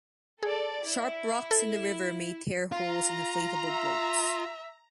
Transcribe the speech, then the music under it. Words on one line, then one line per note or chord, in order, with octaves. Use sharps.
Sharp rocks in the river may tear holes in inflatable boats.
G#4 A4 D5
E4
A4
F4 A#5
E5